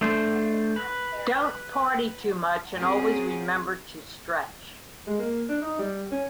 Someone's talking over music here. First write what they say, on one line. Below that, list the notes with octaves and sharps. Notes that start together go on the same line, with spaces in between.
Don't party too much and always remember to stretch.
A3 D4 C5
B4
C4 C#4 F#4 G#4 A#4
G#3
A#3
D4
D#4
G3
C#4